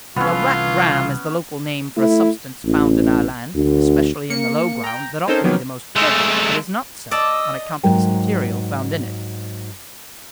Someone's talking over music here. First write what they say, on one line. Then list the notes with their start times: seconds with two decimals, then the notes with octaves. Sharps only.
Now Black Ram is the local name for a substance found in our land, especially in the low ground that ought to be the most fertile, but is not so, on account of this material found in it.
0.16 C2 E3 B3 C#4 F4 A4
1.97 A3 E4
2.64 A1
3.55 D2
4.30 A#3 C#7
4.84 G5 A#5
5.27 C4 C#4 D#4 A4 A#4 C5
5.44 D#3 F3 F#3 A#3 B3 C#4
5.96 G#3 A3
7.11 D5 D#5 A5 E6
7.83 G#2 F#3 A#4 G5